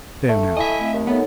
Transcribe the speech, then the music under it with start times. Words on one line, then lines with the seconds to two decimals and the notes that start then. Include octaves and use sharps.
There, now.
0.29 A3
0.57 E4 D#5 E5 G#5
0.79 A3 C4
0.93 D#2
1.07 B3 D#4 A4 C#5 E5